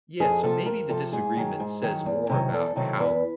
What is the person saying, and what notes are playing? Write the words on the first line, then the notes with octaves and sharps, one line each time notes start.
yeah, so maybe the disagreement says more about how
F2 G#4
C3 F3 A4
F2 A#4
C3 F3 A4
G#2 G#4
D#3 F#3
G#2
D#3 F#3
E2
C3 D#3 F#3
E2 A4
C3 D#3 F#3
E2 B4